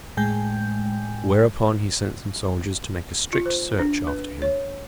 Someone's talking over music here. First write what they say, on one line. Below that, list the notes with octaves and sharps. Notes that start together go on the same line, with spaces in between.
Whereupon he sent some soldiers to make a strict search after him.
A2 G#3 G5 G#5 G6
F4
C5
D4
B4
C#5